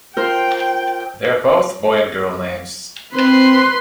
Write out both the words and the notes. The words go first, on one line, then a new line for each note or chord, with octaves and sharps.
They are both boy and girl names.
F4 A#4 C5 G5
C4 B4 C6